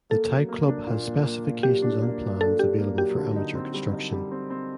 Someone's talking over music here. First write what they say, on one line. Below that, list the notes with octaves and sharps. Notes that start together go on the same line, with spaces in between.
The type club has specifications and plans available for amateur construction.
A#3 A4
F#3
A#3
D4
A#2
A#3
A#3
A#3
F#3 G4
D4
A#3
F#3
D4 A4
D4 G4
A#3
F#3 G4
D3
D#4
C4
G3
D#4
G3
C4
C4